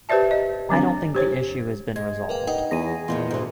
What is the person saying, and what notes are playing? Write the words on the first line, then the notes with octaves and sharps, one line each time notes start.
I don't think the issue has been resolved.
G4 B4 C5 D5 E5 A5
D#5
D3 F#3 C4 D4
G4 C5 C#5
G#3 G#6
A#3 A#4 B4 G5
G2 D#4 F#5 G5
E2 G#4 A#6 D#7
E2 A#2 D#3 F4
D2 G#2 E3